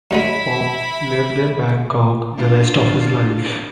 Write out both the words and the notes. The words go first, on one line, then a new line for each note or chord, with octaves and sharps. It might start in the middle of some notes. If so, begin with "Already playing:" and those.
Pop lived in Bangkok the rest of his life.
F#2 D3 G#3 E4 B5
D4 F4